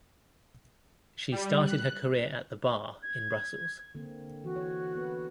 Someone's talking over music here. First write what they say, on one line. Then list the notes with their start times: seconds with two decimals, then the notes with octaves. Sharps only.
She started her career at the Bar in Brussels.
1.32 G3
1.65 F#6
3.03 G#6
3.95 D3 A#3 C4
4.44 E3 F#4
4.56 C#5
4.95 B3 B4